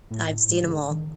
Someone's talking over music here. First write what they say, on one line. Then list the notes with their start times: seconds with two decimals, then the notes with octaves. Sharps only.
I've seen 'em all
0.10 A2
0.50 G#2
0.62 C#3
0.71 D3
0.90 D#3